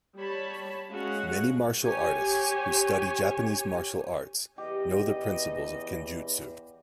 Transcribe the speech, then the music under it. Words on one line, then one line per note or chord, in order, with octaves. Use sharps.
Many martial artists who study Japanese martial arts know the principles of kenjutsu.
G3 C#5 A5 B5
G#3 C#4 F#4 F5 F#5
G4 C#5 G#5
E2 G4 D#5